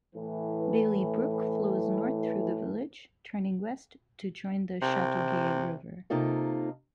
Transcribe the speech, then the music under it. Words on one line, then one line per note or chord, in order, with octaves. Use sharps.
Bailey Brook flows north through the village, turning west to join the Chateaugay River.
A2 E3
C3
C3 A#3 D#4 F4 A4